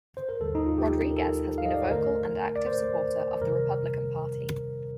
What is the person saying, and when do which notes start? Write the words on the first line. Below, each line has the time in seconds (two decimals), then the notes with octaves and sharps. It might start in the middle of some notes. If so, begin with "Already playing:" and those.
Rodriguez has been a vocal and active supporter of the Republican Party.
0.17 C5
0.29 A#4
0.40 D#2 D3 G3 A4
0.55 D#4
0.66 F4
0.78 G4
1.11 A#4
1.16 A4
1.58 F5
1.66 D#5
1.74 D5
1.82 C5
1.91 F2 D3 A3 A#4
2.56 D5
2.67 C5
3.41 F2 C3 D#3 G3 A#4